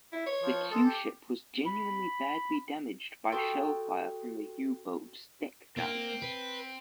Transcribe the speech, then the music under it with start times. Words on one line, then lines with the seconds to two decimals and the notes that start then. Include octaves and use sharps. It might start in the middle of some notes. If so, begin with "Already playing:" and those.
The Q-ship was genuinely badly damaged by shellfire from the U-boat's deck guns.
0.12 E4
0.26 C#5
0.43 F3
0.71 G#3 A4
0.84 G4
1.66 B5
3.32 F#4 G4 A4 G5 C6 D#6
5.77 A#3 C4
6.22 B4